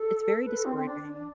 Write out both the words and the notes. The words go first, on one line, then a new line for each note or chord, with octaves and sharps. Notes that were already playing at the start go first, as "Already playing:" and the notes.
It's very discouraging.
Already playing: A4
B4
A4
C4
C4
D4
D4